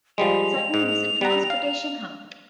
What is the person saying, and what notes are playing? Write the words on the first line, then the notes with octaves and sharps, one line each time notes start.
Sutton was a transportation hub.
F3 G3 G#3 F7
G#2
G3 A#5
F5